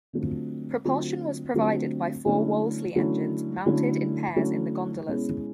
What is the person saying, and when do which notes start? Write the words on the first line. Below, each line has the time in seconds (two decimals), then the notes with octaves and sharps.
Propulsion was provided by four Wolseley engines, mounted in pairs in the gondolas.
0.13 D3 F#3 A3 C4 F4
0.85 D3 F#3 A3 C4 F4
1.54 D3 F#3 A3 C4 F4
2.26 D3 F#3 A3 C#4 E4
2.95 D3 F#3 A3 C#4 E4
3.66 D3 F#3 A3 C#4 E4
4.36 D3 F#3 A3 C#4 E4
5.07 B2 G#3 C#4 E4